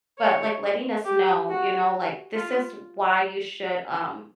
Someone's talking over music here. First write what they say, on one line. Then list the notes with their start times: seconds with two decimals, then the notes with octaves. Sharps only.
but, like, letting us know, you know, like, this is why you should, um
0.18 C#5
1.05 G4
1.49 F#4
2.35 F4